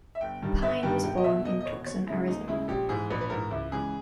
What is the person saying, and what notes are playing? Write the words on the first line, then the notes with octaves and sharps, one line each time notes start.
Pine was born in Tucson, Arizona.
E5
G1 G5
G2 D#3 G3
G1 E5
G2 D#3 G3 G5
E1 G5
D#5
E2 B2 E5
E1 D#5
D#5
E2 B2 C#5
D#2 C#5
C#3 G#3 E4
D#2 D#4
C#3 G#3 E4
A#1 G4
G#2 E3 G#4
A#1 B4
B4
G#2 E3 A#4
C#2 E4
C#3 E3 G#3 G#4